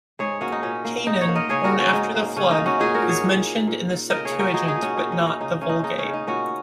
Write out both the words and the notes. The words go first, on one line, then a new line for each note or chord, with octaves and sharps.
Cainan, born after the flood, is mentioned in the Septuagint but not the Vulgate.
G#2 G#4 C#5
A#3 C#4 F#4
D#4
A#2 C#4
A#3
G#2 D#4
C#5 F#5
A#3
A#4 D#5
C#3 G#4 C#5
F#4 A#4
C#3
C#4 F#4
G#2 D#4
A#3
C#3 C#4
D#4
A#3
C#4 F#4
A#2 D#4 G#4
F#4 A#4
A#2
G#4 C#5
A#2
A#2
A#2
A#2
C#3 A#4 D#5
G#4 C#5
C#3
F#4 A#4
A#2 D#4 G#4
D#4 G#4
A#2
C#4 F#4
A#2 D#4
C#4
A#2
D#4
C#3 D#4
A#3 C#4
D#4
C#3 D#4
C#4
C#3
D#4
A#2 C#4 F#4